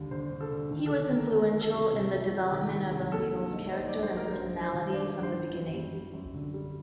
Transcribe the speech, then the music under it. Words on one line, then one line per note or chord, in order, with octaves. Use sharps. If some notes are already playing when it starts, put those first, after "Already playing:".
He was influential in the development of O'Neill's character and personality from the beginning.
Already playing: D#2 D3 G3
D3 C5
D3
A4
D3
D#3
A4
D#3
A3 A#4
A3 A#4
A3
A4
C2
C3
F#3
C2
D#3
D#3
C2
A#3 A4
G2
D#4
D#4 C5
G2 D5
C5
F#3 A#4
G2 C5
G2
C5
D#3
G2 D5
G2
C5
G2
F#2
G3
G3
F#2
D3
G3